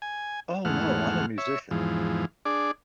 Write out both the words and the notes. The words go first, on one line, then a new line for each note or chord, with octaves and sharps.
Oh, no, I'm a musician.
G#5
E2 G#2 A3 F#5 F6
C#5 E5
E2 G#2 F3
D4 G#4 D5